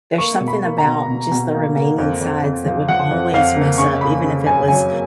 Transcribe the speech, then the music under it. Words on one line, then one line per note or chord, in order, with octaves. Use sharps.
There's something about just the remaining sides that would always mess up, even if it was
A#3 C#6
B2
B5
A#3
A#5
B2
B2
B2
A#3
A#3
F2
F2
F2
F3
F3 F#5
F2
F2 F5
A#3
C#3 C#6
A#3 B5
C#3
F#2 G#5
F#3 G#5
A#3